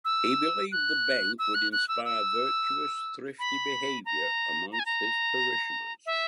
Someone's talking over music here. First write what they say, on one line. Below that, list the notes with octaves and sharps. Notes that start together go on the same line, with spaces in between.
He believed the bank would inspire virtuous thrifty behavior amongst his parishioners.
E6
F#6
E6
F#6
F#6
E6
E6
B5
A#5
A#5
G#5
A#5
E5